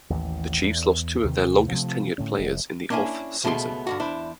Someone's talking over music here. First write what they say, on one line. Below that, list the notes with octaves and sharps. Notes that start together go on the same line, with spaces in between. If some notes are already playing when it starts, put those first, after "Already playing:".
The Chiefs lost two of their longest tenured players in the offseason.
A1 D#2 E3
E2
D#2 C3 D#3 E3
C3 F3 A3 C4
A2 D3 C#4
F1
A#3 C#4 D4 E4 G#5
C#2 B2 A3 B3 G#4 C6
G2 D3 F#4
E2 D4 E4 C5